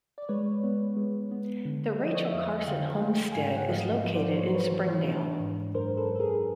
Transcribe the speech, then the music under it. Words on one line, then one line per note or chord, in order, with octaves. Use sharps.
The Rachel Carson Homestead is located in Springdale.
D5
G#3 B4 C#5
B3
G#3
B3
D3
F3 D#5
D5
C#5 D#5
E5
F2 D#5 F5
D3 F5 G5
A3
G#2 G#5
G5
F#5
G#2 D#5 F5
F3
C5 D5
G#2 C#5
C5
B4 C#5
E3
D4
G#2
F#2 A#4 C5
A4 B4
F#2
A4
G#4 A#4